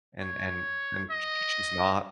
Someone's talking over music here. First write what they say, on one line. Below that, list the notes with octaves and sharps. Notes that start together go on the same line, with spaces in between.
and and and sh sh she's not.
C#5
D#5